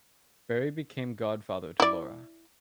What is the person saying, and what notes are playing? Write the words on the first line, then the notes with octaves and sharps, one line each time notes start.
Barrie became godfather to Laura.
E4 D5